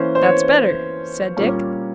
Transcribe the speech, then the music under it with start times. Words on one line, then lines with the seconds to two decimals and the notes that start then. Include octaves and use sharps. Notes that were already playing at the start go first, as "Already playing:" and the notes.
"That's better," said Dick.
Already playing: E3 A#3 C#4 C5
0.15 C5
0.23 C#5
1.37 A#2 G3 A#3 C#4